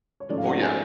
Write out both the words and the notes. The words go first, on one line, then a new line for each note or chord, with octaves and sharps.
Oh, yeah.
C#5
G#2 F3 A3 C#4 D5
F5
F#5
G#5